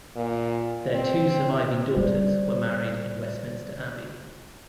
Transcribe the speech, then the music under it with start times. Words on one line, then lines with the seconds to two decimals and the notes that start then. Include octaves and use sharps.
Their two surviving daughters were married in Westminster Abbey.
0.16 A#2
0.94 C4
1.96 G3 C4 C5 D5